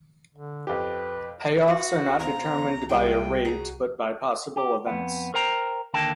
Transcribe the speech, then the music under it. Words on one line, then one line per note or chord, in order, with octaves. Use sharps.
Pay offs are not determined by a "rate", but by possible "events".
D3
F2 G4 B4
F#4 B4 F5
B2 C5 F5 A#5
E3
C2 G3 G#3 E4 G4 G#4 F5 G5
G3 F#4 G#4 A#5
G4
F2 B3
A#4 C5 G5 A#5
D#2 D3 A#3 G5 A5